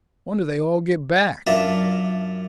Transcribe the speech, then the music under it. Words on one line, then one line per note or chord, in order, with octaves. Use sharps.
Wonder they all get back.
F#2 D4 F4 E5 A5 A#5